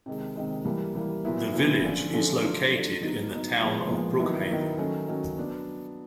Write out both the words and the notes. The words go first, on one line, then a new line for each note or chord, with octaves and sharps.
The village is located in the town of Brookhaven.
C3 D#3 G#3
C3 D#3 G#3
E3 G3 A#3
E3 G3 A#3
A#2 F#3 B3 E4
A#2 F#3 B3 E4
D3 F3 A3 C#4
D3 F3 A3 C#4
F#3 A3 D4 F4
F#3 A3 D4 F4
F#3 B3 D#4
F#3 B3 D#4
A#2 F3 G#3 B3
A#2 F3 G#3 B3
D#3 F#3 B3 E4
D#3 F#3 B3 E4
D#3 F#3 A3 C#4
D#3 F#3 A3 C#4
F#3 B3 D4